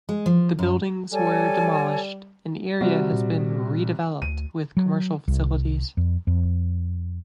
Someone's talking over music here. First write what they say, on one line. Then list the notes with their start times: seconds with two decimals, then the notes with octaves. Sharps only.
The buildings were demolished and the area has been redeveloped with commercial facilities.
0.09 G#3
0.26 F3
0.59 F#2
1.13 G3 A4 C#5 G#5
2.81 C3 G3 F#4
3.13 A#2
4.22 D2 D#7
4.77 F#3
5.28 C2
5.97 F2
6.27 F2